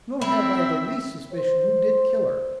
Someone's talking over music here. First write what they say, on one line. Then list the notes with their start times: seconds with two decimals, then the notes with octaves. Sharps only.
Nor have I the least suspicion who did kill her.
0.21 C4 E4 C#5 E5
1.32 C5